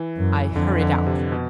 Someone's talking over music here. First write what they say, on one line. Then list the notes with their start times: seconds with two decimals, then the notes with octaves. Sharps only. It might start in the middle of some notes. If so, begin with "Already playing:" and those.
I hurried out.
Already playing: E3
0.18 F#2
0.56 F2 D3
0.81 D3
1.07 C3
1.32 B2